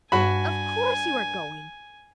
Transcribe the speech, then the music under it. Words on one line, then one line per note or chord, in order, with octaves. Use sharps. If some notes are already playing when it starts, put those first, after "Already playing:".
"Of course you are going."
G2 F#4 G#5 A5 B5